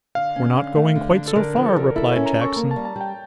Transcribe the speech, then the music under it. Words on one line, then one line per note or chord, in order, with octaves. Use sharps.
'We're not going quite so far,' replied Jackson.
D3 F5
C#4
D3
A3
D3
D4
A4
D3 A#4
F3
A4
D3
A#4
E4 A4
C#4 C#5
A#5
A4
C#6
A#3 A#5
A5
G3
A5
G3
G5